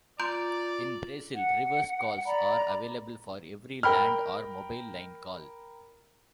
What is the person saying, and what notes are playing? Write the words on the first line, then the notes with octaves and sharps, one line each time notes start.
In Brazil, reverse calls are available for every land or mobile line call.
F4 D5 A#5 C6 G6 D7
F#5
D5 A#5 B5
A#4 G5 B5 F6